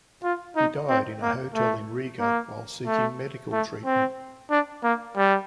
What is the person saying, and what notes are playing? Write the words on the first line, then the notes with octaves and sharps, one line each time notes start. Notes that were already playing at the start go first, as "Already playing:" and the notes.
He died in a hotel in Riga while seeking medical treatment.
F4
D#4
C4
A#3
A3
A#3
A3
A3
C4
D4
A#3
G3